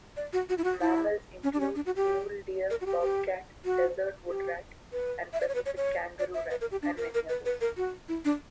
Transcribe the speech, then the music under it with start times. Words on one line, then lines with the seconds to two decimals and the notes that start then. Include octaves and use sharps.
Mammals include mule deer, bobcat, desert woodrat, and Pacific kangaroo rat, and many others.
0.17 D5
0.33 F#4
0.49 F#4
0.58 E4
0.64 F#4
0.81 E4
1.44 C#4
1.53 D4
1.60 C#4
1.76 D4
1.86 F#4
1.96 G4
2.70 A#4
2.81 F#4
2.86 G4
3.01 G4
3.65 F#4
4.29 G4
4.93 B4
5.33 E5
5.41 D5
5.48 C#5
5.55 B4
5.66 C#5
5.77 C#5
6.19 D5
6.34 E5
6.51 B4
6.61 A#4
6.72 G4
6.82 D4
6.98 A#4
7.14 A#4
7.29 B4
7.45 B4
7.61 A#4
7.77 F#4
8.09 E4
8.25 D4